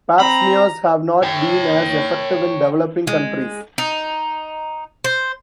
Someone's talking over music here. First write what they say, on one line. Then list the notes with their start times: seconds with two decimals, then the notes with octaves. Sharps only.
Pap smears have not been as effective in developing countries.
0.20 C4 A#5 B5
1.23 C#5 G5
3.07 G#3
3.78 D#4
5.04 C5